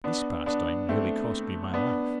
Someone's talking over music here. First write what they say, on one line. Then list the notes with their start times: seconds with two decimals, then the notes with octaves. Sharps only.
This pastime nearly cost me my life.
0.04 B3 D4
0.46 B3 D4
0.89 A3 C4
1.74 B3 D4